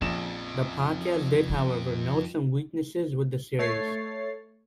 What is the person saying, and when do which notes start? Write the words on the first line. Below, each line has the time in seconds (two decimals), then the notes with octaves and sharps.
The podcast did however note some weaknesses with the series.
0.02 A#1 F2 C#4 E7
1.50 C#4 F4
3.59 A3 C#5 A6 C7